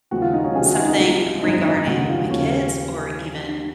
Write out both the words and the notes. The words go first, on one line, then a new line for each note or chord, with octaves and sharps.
something regarding my kids or even
D#2 C#3 F3 G#3 F#4
F4
D#4
C#4
C#2 C3 D#3 G#4
F#4
D#4
D#4
C2 C3 F3 G#3 D#4
G#1 F#2 F3 G#3 D#4
D#4
F1 D#2 C#3 G#3 F#4
F4
D#2 C#3 F3 C#4